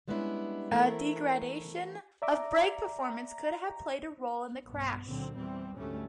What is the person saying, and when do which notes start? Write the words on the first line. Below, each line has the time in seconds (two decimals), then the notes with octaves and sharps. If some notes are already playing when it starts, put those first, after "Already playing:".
A degradation of brake performance could have played a role in the crash.
0.08 G3 G#3 B3 C#4 D4 E4
0.71 E3 A3 C4 E4 A#4
2.22 D5 E5 A#5 D6
4.64 B1 G2 B3
5.05 C#2 A#2 D3 F#3 C4
5.35 E2 E3 G3 C4
5.77 D2 G#2 G3 A3 C#4